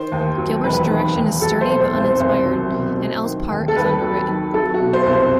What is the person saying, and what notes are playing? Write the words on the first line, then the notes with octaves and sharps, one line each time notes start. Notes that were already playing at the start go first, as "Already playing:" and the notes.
Gilbert's direction is sturdy but uninspired, and Ehle's part is underwritten.
Already playing: D#3 C5
D#2
F#3
E1 B4
D#3
D#2
F#3 A4
C5
B2
C5
C2
C5
C2 C5
F#3
B2
F#3
D#3
D#2
A4
D#2 B4
F#3
D#3
F#3 A4
F#4
B2
C5
C2
C5